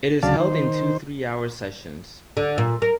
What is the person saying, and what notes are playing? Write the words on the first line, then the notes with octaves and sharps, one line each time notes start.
It is held in two three-hour sessions.
D2 C#3 F#3 D5 F5 A5
D#3 C5
D3
A#2
A#4